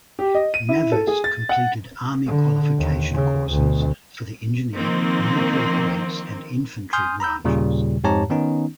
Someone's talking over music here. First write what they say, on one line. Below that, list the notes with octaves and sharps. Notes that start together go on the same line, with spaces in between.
Navas completed Army qualification courses for the Engineer, Military Police, and Infantry branches.
G4
D#5
D#7
E4
A4
G#4
A6
F#5
D3
D#2
C#3
D2 B2
D#3 F3 A#3 C4
G#5 C6 D#6 F6 G6
A#5 B5 E6 G6
D#2 A#2 C#3 G3
F2 G#2 G4 C#5 A5 A#5
D#3 B3 C#4 D#4